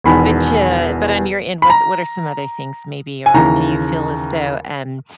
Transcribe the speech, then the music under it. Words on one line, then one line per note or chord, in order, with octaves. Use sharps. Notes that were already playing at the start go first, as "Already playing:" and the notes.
Which, uh, but on your end, what's what are some other things maybe? Or do you feel as though, um,
E1 E2 D#3 B5
B5
A#5
G#5
D#2 C#3 E3 A#5